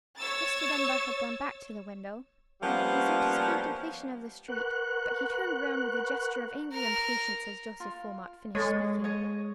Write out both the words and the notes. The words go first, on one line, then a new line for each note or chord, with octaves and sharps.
Mr. Dunbar had gone back to the window, and had resumed his contemplation of the street; but he turned round with a gesture of angry impatience as Joseph Wilmot finished speaking.
C#5 E6 A6
F3 G3 A#3 B3 C#4
A#4 B4 F#5 C#6 F#6
A#4 F6
F4
G#3 A4 C#5
C#5 D#5